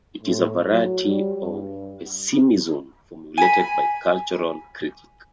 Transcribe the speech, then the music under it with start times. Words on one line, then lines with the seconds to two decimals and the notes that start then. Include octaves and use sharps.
It is a variety of pessimism formulated by a cultural critic.
0.23 A2
0.72 F#3
1.08 G3
1.46 G2
3.38 G#5 B5